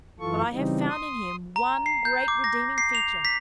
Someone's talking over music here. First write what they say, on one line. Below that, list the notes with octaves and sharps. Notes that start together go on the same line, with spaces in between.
But I have found in him one great redeeming feature.
F#2 E3 F4 A4 C#6
C#3 E3 G3 C4 D#4
C6 D#6
A#5
C7
G6
D6
A#6
C7
F7
B6